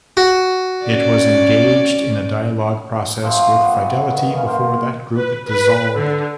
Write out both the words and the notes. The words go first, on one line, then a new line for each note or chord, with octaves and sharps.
It was engaged in a dialogue process with Fidelity before that group dissolved.
F#4
C#4 D5
F#2 F3 G4 C5
B3 B4
F#4 G#5
D#3 B3
C#3 C#4
A#3 A#4 C5
B4
B4
D3